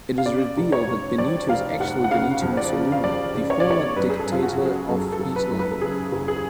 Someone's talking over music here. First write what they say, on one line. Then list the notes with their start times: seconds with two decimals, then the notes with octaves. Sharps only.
It is revealed that Benito is actually Benito Mussolini, the former dictator of Italy.
0.18 F5
0.26 C#3 D5
0.57 F1
0.72 C#5
0.88 F1
1.18 F2 D5
1.49 F1 F5
1.80 F1 F#5
2.04 F#5
2.11 C#3 F5
2.42 F2
2.57 D5
2.73 C#3
2.92 F5
3.04 F2 D5
3.35 C#3
3.50 C#5
3.60 D5
3.66 F1
3.71 C#5
3.96 F#2 B4
4.10 G#4
4.20 A4
4.27 F#2 F4
4.43 F#4
4.58 C#3
4.66 G#4
4.89 F#2 A4
5.13 A4
5.19 F#1
5.36 B4
5.51 F#2
5.59 B4
5.71 A4
5.81 C#3 G#4
6.12 F#1
6.28 G#4